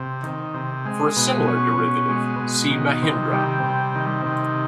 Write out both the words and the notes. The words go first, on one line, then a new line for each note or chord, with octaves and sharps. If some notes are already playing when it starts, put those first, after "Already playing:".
For a similar derivative, see Mahindra.
Already playing: C3
D#3
C3
G#3
B2
C#4
B2
G#3
B2
D#3
C3
G3
C3
D#3
C3